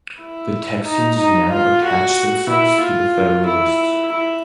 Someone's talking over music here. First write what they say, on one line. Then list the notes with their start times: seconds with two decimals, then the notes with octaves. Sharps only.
The Texans now attached themselves to the Federalists.
0.21 E4
0.85 D#4
1.18 D#4
1.51 F4
1.84 F#4
2.49 E4
2.81 F4
3.46 E4
4.12 E4